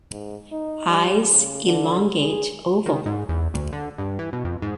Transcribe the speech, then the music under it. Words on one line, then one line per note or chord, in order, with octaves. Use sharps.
Eyes elongate oval.
G#2
D#4
G3
C#3
D3
G#4
D#3
G#2
E2
D2
D3
G2
E3
B2
F2
G#2